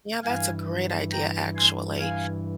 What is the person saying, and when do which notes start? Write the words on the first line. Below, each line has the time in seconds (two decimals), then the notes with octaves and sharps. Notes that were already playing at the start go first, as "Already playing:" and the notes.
Yeah, that's a great idea, actually.
0.23 G2 E3 F5 G#5
1.12 G5 A#5
1.56 G#5 C6
2.00 F5 G#5